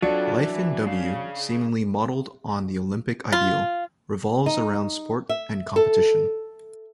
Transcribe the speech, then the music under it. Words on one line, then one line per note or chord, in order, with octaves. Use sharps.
Life in W, seemingly modeled on the Olympic ideal, revolves around sport and competition.
F#3 D4 F4 A4
E3
C#3 F5
F4
D#4
E5
A4